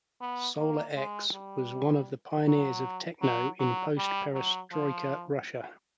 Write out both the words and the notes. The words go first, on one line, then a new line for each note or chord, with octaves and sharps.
SolarX was one of the pioneers of techno in post-Perestroika Russia.
B3
A#3
G#3
G3
F#3
F#3
F#3
G3
F#3
F3